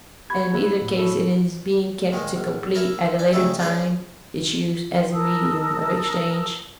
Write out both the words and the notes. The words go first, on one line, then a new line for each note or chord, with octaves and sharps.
In either case it is being kept to complete at a later time its use as a medium of exchange.
B3 F#4 G4 B5 G#6
F3 E4 B4
A2
B2 E4 A4
A#2 D#3 G#3
A#1
E4 A4 A#4 A5 B5
D4 G#5
C#3 G3 A3 D#4 E4 A4
C#4 D4 G#4 B4 C#5 D5
A#4 A5 D#6 E6